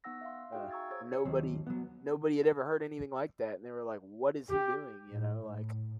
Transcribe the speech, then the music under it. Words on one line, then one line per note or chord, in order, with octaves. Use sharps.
uh, uh, nobody nobody had ever heard anything like that, and they were like, "What is he doing?" you know, like
B3 D#4 F#5 E6 A#6
E5 F5 C6
D#4 F#4 G#4 E5 F5 G5
A#5 C#6 E6 G#6 A6
G#4 C5 C#5 C#6 E6 G#6
C#5
D#2 F#3 C4
F#3 B3
G4
A2
A2